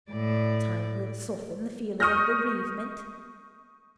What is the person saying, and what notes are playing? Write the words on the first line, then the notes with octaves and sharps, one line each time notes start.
Time will soften the feeling of bereavement.
A2 D5
C#6 D#6 F6 G6 A#6